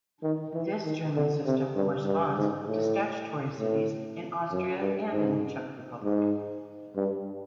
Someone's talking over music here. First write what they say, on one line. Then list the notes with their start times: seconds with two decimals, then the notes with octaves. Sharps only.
This German system corresponds to statutory cities in Austria and in the Czech Republic.
0.23 D#3
0.54 E3
0.85 D#3
1.15 D3
1.45 C3
1.76 G2
2.06 G2
2.37 G#2
2.68 A2
3.59 A2
4.51 F#2
4.81 G2
5.12 G#2
6.04 G#2
6.96 G2